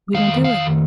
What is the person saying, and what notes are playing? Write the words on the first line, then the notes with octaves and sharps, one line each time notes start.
We don't do it.
F2 D#3 F5
F5